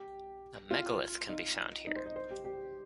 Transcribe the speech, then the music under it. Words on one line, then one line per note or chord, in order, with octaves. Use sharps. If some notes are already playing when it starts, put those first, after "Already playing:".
A Megalith can be found here.
Already playing: G4
F4
D#4
D#4
C5
D#5
C5
G4
G4